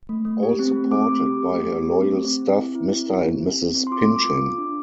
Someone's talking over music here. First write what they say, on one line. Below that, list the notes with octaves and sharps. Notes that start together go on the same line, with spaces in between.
All supported by her loyal staff Mr and Mrs Pinchin.
A3
A3
G4
C4
A3
C4 D6
A3
G4
G4
A3
G4
C4
C4
C4
C4
E4
E4
C4
E4
G4
C4
C4
C4
C6
F4 D6
A4
D6
F4
F4
D4